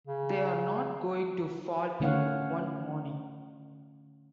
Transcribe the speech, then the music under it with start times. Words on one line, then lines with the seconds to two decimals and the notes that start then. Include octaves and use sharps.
They are not going to fall in one morning.
0.07 C#3
2.00 D3 A3 C#4 C#5 F5 F#5